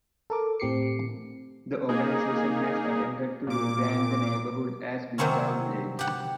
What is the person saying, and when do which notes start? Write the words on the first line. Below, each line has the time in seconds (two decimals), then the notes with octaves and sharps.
The organization has attempted to re-brand the neighborhood as Midtown Village.
0.30 A4 A#4 D6
0.60 A2 C4 G4 D6 C7 C#7
1.89 A#3 D#4 G#4
3.47 A#2 D6
5.18 C3 D#3 F#3 C4 C#4
5.99 G4 F#5